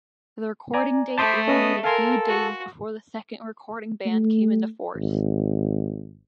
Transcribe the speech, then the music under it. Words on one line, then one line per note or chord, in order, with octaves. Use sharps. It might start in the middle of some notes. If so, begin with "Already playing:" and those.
The recording date was only a few days before the second recording ban came into force.
D5 G#5 A#5
A3 C5 A5 B5 C6 D6 D#6
B3 C#4 D#5 D#6
A4 A#4 F5 G#5 C6
F#4
A3
G#1